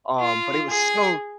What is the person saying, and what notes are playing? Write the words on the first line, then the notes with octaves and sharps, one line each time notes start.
um, but it was so
F4
G#4